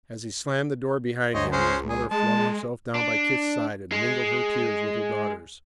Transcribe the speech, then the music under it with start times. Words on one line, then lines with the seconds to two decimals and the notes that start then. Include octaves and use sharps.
As he slammed the door behind him, his mother flung herself down by Kit's side and mingled her tears with her daughter's.
1.34 D2 C5 C#5 D#5
1.52 C#2 G#3 C#4 C5
1.89 G#4
2.11 G#3 A5
2.96 D4
3.92 G#3